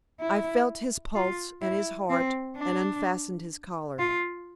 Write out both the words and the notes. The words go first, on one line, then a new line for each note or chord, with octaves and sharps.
I felt his pulse and his heart, and unfastened his collar.
E4
F4
E4
C4
D4
F4